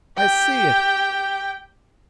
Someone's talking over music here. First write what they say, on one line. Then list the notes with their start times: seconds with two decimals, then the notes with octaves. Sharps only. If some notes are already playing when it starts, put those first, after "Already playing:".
I see it!
0.17 G4 G5